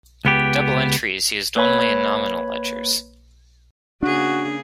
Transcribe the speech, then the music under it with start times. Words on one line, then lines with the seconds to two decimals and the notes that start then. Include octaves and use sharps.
Double entry is used only in nominal ledgers.
0.25 C#2 B3 G4
1.56 A#3 B4 C#5 G#5 B5
4.03 C#3 A#3 D4 F#4 G#4